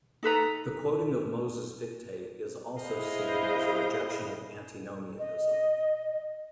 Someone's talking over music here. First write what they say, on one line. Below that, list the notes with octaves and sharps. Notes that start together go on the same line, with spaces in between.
The quoting of Moses' dictate is also seen as a rejection of Antinomianism.
D#4 A4 B4 A#5
E4 G#4 B4 C5 D#5 F5
D#5